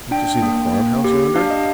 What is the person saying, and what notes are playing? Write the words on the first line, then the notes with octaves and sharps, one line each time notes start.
Don't you see the farm-house yonder?
D4 G5
A#3
A#3
G4
D4 F5
D#5